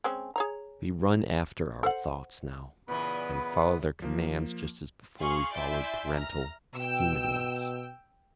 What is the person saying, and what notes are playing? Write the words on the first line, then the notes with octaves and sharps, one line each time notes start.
We "run after our thoughts" now, and follow their commands just as before we followed parental, human ones.
G#3 C4 C#4
G#4 C#5 A#5
A4 C5 F#5
A#2 C#3 E3 B3 B4 B5
F3 A#3
G#4 F5 C6 C#6 F6 C7
E4 D5 E5 G#5 C6 G6
A#5 F6
B2 G5 E6